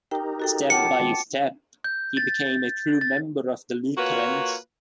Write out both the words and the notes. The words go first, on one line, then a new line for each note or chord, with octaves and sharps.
Step by step, he became a true member of the Lutherans.
D#4 G4 A#4 G5
F#4 A4 G5
F4 C#5 F#5 G5 A5 D6 C#7
D#3 G#3 C4
G6
A6
A6
A#3 F4 F#4 B4 C#5